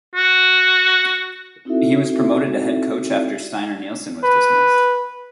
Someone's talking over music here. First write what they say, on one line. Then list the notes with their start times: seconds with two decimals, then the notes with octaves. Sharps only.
He was promoted to head coach after Steinar Nilsen was dismissed.
0.15 F#4
1.65 C4 D#4 E4 F#4 A4 E5
4.24 B4